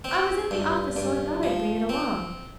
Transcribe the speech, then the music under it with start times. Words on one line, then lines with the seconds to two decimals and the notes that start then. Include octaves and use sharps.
I was at the office, so I thought I'd bring it along.
0.04 C4
0.51 G2
0.96 G2
1.43 F3
1.89 C4